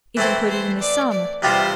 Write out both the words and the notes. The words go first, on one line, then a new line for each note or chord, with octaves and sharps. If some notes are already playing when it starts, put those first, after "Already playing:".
"Is included in this sum."
E3 A3 C4 E4 C5
C5
D5
D5
E2 C3 G3 C4 F4 C5